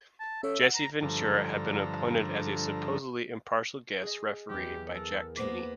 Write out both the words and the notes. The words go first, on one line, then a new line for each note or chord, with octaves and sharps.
Jesse Ventura had been appointed as a supposedly impartial guest referee by Jack Tunney.
A5
C#4 A4 C#5 E5
F#5
A#5
G2 D3 F3 A4 A#5
G#4 D#5
E2 F#3 G4
A4 A#4 F#6
A#3 B3 C5 D6